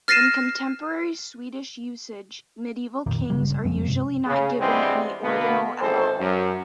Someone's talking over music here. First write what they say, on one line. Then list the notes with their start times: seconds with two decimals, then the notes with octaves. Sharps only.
In contemporary Swedish usage, medieval kings are usually not given any ordinal at all.
0.08 F6 A6 A#6 C7 D#7 E7
3.06 C2 F2 A#2 D#3
3.30 G1 C#3 G3
3.65 F2 F3 G#3 C4
3.87 G2 C3
4.27 C#3
4.60 G2 E3 G3 G#3 B3 C4
5.23 B2 D3 A#3 B3
5.81 G#1 G#2 E3 A4 C5
6.19 F#2